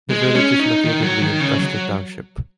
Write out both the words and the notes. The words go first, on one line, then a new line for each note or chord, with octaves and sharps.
The village is located within Custer Township.
G#3
C#4
D#4
D#3
F#3
D#3
C#3
F#3